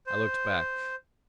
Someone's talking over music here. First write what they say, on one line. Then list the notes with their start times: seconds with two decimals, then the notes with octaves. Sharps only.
I looked back.
0.07 C5